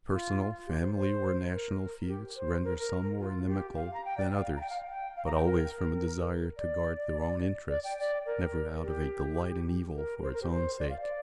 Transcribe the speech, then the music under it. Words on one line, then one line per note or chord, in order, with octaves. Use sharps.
Personal, family, or national feuds render some more inimical than others, but always from a desire to guard their own interests, never out of a delight in evil for its own sake.
F4
G4
C5
C5
A#4
G4
C5
A#4
A#4
F4
G4
F5
A#5
G5
D5
F5
A#5
G5
F5
G5
F5
A#5
G5
A#4
D5
D5
G5
D5
A#4
G4
A#4
C5
A#4
G4
C5
D5
F5
D5